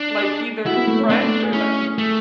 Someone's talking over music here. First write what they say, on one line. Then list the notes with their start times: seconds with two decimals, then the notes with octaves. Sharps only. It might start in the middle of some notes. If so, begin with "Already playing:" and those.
Like either friend or them.
Already playing: D4
0.21 G#4
0.66 E4 F#4
0.76 B3
0.87 A3
0.99 C#4
1.10 B3 D4
1.21 A3
1.43 G#4
1.53 C#4 E4
1.98 A3